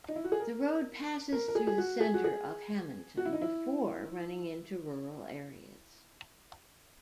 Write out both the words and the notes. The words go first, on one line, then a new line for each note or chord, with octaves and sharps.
The road passes through the center of Hammonton before running into rural areas.
D#4
E4
F#4
G#4
A#4
A#4
A#4
G#4
G#4
F#4
G#4
F#4
G#4
F#4
E4
D#4
E4